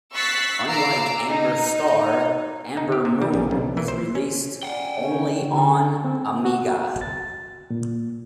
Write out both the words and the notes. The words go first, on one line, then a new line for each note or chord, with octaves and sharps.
Unlike Amberstar, Ambermoon was released only on Amiga.
C#6 E6 F#6 A6 B6 C7
A#5 D6 E6 C7
D#4
D#4
G4
C3
G3
A#1
B1
E3
C5
C#4
G3 F4 F#5 G5
D3 A4
B2 D3 A3 C#4 C5
D3
C4
F#4
F#4
A6
A#2